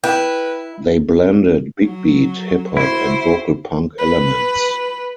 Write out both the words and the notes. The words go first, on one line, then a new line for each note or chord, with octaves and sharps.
They blended big-beat, hip hop, and vocal punk elements.
E4 B4 G5
F#3
E4 F#4 C5
B4